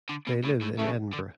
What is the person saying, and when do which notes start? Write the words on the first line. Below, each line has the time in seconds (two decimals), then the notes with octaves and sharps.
They live in Edinburgh.
0.09 D3
0.27 B2
0.44 A2
0.62 A2
0.78 C#3 A3
1.13 D3